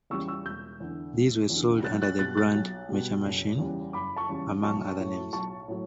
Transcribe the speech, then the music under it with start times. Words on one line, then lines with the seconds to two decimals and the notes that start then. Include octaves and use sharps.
These were sold under the brand "Mecha Machine," among other names.
0.10 E2 C#3 G3 C#6 E6
0.28 C#6 E6
0.45 E1 E6 G6
0.80 E2 D3
1.15 E1
1.50 E2 D3
1.84 B1 F#6 A6
2.02 F#6 A6
2.19 B2 G3 F#6 A6
2.37 F#6 A6
2.55 B1
2.89 B2 G3
3.23 F#1
3.58 E2 C#3 G3
3.93 F#1 B5 D6
4.16 A5 C#6
4.29 E2 C#3 G3
4.63 B1 A5 C#6
4.99 A2 F#3
5.33 B1 A5 C#6
5.68 A2 F#3